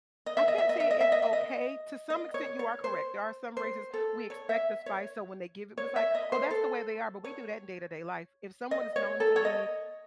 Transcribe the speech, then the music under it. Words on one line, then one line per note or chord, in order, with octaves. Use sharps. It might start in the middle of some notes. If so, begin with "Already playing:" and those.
I can't say it's okay. To some extent, you are correct, there are some races we expect the spice, so when they give it, it's like, "Oh, that's the way they are," but we do that in day-to-day life, if someone is known to be,
D#5
E5
D#5
E5
D#5
E5
D#5
E5
D#5
E5
D#5
D#5
C#5
C#5
C5
C5
A4
C#5
E5
C#5
C#5
E5
D#5
C5
A4
C#5
D#5
C#5
A4
C#5
D#5